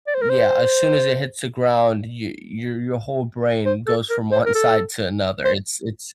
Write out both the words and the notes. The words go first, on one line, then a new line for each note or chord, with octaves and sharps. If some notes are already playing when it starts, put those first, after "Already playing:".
yeah, as soon as it hits the ground, y your your whole brain goes from one side to another. It's it's
D5
C5
A#4
C5
C5
A4
A#4
C5
A#4
A4
C5